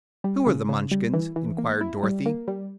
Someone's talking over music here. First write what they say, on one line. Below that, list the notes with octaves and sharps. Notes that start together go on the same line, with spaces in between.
"Who are the Munchkins?" inquired Dorothy.
G3
C#3
C#3
G3
E3
E3
A#3
E4
G3
A#3
G3